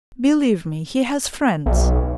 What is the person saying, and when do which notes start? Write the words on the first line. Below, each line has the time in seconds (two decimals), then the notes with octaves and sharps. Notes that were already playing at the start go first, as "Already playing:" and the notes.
Believe me, he has friends.
1.66 B1